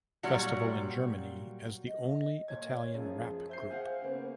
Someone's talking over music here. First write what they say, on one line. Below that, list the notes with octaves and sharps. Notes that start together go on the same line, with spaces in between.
Festival in Germany as the only Italian rap group.
A#2 F#3 G3 F#4
D#5
A#2 C#5 G#6
F#2 F3 G#4
C5 E5 G6 C7
G#4 F5 F#5
C#3 A#3 B3